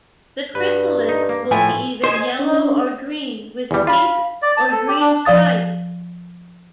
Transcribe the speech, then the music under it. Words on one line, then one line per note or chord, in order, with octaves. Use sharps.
The chrysalis will be either yellow or green with pink or green stripes.
G2 B4
D#4
A#3
A2 F3 E4 G#5
C5 D#5 G#5
C#4 D4
E2 G3
F4 F5 B5
D5
A5
A4
G4
D4
F3 D5 F5 D#6 A6